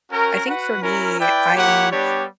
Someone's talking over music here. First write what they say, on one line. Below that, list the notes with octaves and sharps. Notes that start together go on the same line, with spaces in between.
I think for me, I am
C#4 F#4 A#4
F#4 B4 F#5
C#4 E4 A#4
E4 B4 D5 G5
A#3 E4 G4 C#5 F#5
G3 B3 D4 G4 C#5